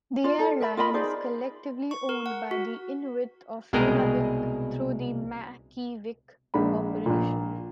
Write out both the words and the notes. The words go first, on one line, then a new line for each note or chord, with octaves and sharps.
The airline is collectively owned by the Inuit of Nunavik through the Makivik Corporation.
F4 D5
A4
A#4 E5 B5
F4 A#4 D#5 B5
D#4 G#4 C5 D5
C#6
A#4
F#5
F#4
C2 B2 G#3 G#4 A#4 G5
A#1 G#3 D4 B5
A#1 A#2